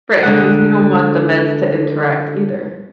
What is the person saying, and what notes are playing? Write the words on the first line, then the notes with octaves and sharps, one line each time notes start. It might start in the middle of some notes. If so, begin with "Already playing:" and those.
Right, 'cause you don't want the meds to interact either.
D3 G#3 F#5